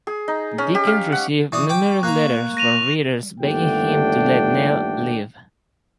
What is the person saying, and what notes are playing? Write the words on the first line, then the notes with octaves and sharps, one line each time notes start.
Dickens received numerous letters from readers begging him to let Nell live.
G#4
D#4
C#4
G4
F5
F#5
E3 D5 C#6 D#6
G5 D6
A#3 A#5 F#6
A#6 D#7 F7
G1 D#2 D3 A3 D4 G5